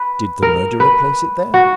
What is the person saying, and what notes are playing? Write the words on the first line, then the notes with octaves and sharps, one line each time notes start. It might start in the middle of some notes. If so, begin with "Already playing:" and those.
Did the murderer place it there?
Already playing: B4
A#4
B4
F#4